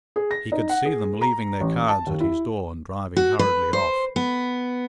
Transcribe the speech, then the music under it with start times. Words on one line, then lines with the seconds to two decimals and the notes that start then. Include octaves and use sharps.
He could see them leaving their cards at his door and driving hurriedly off.
0.16 G#4
0.31 A#6
0.52 D#4
0.69 F#5
0.85 G#4
1.21 A#5
1.61 A1
1.88 A5
2.06 D#2
2.20 E4
3.16 F#4
3.39 B4
3.73 C5
4.16 B3